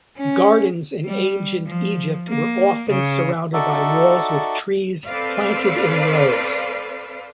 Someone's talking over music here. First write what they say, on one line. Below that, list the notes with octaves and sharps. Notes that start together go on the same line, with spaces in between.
Gardens in ancient Egypt were often surrounded by walls with trees planted in rows.
C#4
G3
F3
A#3
C#3
D#4 F#4 A4 D5 E5
C4 A4 B4 C5 D5 F5